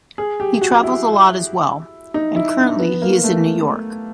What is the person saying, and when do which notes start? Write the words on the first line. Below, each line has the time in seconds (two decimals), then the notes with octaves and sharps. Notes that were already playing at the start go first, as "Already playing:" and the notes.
He travels a lot as well, and currently, he is in New York.
0.18 G#4
0.40 G4
0.61 F#4
0.83 E4
2.14 D#4
2.36 E4
2.58 D4
2.79 B3
3.02 A#3
3.23 A3